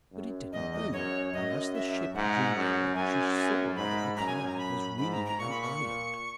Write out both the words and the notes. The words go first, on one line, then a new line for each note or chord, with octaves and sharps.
But it didn't move, and as the ship drew nearer she saw that the cloud was really an island.
F#2
E2 D#5
D#5
F#2 C#5
F#2 D#5
E5
G#2 F#5
F#2
F#2 G#5
G#5
G#2 B5
F#2 A#5
G#5
G#5
A#5
B5
G#2 B5
A#5
A#5
A#2 C#6
B5
C#6
A#2